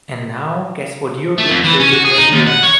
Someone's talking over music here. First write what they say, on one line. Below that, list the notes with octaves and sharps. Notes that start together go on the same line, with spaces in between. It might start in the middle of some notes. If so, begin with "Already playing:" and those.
And now, guess what your good children were doing?
A3
F2
E3
C#4
F#4
G#4
D#4
D#2
F#5
C#5